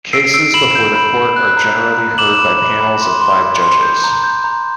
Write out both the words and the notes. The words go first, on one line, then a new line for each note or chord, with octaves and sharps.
Cases before the court are generally heard by panels of five judges.
E6 C7 D7
E6 C7 D7
B5 E7 F#7
G6
B5
B5
F#6
A#5
A#5
A#5
D6 E7 F#7
B5
B5
B5
C6
C6
C6
C6
G6
A#5
G6
A#5